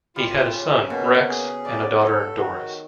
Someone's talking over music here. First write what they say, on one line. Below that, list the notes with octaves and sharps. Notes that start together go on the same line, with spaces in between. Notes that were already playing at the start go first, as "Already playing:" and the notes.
He had a son, Rex and a daughter, Doris.
G3 F4
C#3 C#4
B2 A#3
C#3
G#4
C#3 D5
C#3 A4
D#3 F#4